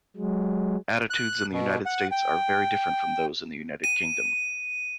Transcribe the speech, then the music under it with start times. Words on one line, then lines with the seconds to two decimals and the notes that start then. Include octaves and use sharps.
Attitudes in the United States are very different from those in the United Kingdom.
0.16 F#3 G#3
1.10 F#6
1.53 B2
1.86 F#5
2.11 G5
3.84 D#7